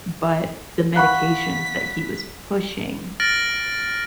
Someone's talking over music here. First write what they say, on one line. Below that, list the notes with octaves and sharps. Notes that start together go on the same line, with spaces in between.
but the medications that he was pushing
F5 F#5 B5 C#6 F#6 B6
F6 A6 A#6 D7 F#7